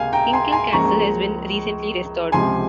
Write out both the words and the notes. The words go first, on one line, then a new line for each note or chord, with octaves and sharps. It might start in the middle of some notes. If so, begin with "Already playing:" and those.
Kinkell Castle has been recently restored.
Already playing: C#2 C3 A#3 F5 G#5
G5 A#5
G#5 C6
G#5 C6
C#2 C#3 F3 A#3 A#5 C#6
C#2 C3 F3 G#3 G#5 C6